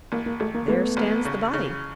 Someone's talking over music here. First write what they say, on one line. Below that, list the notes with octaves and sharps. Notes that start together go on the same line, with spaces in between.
There stands the body!
A1 A#3
A#3
A1 A3
A#3
G#2 A3 B3
A1
C#3
C#3